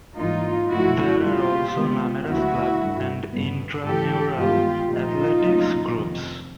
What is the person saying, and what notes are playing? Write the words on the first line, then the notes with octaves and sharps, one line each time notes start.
There are also numerous club and intramural athletics groups.
G#2 E3 G3 A#3 D#4 F4
F#2 D3 F3 A3 E4 F#4
B2 G3 A#3 F4 G4
C3 D#3 G#3 B3
D2 D3 F#3 B3 E4 F#4
G2 D3 G3
G2 D3 G3 B3
G#2 E3 A3 G4 A4
G2 D#3 G#3 B3 F4 G4
A#2 F3 A3 D#4 F4
D2 C#3 F#3 A#3
F2 C3 D#3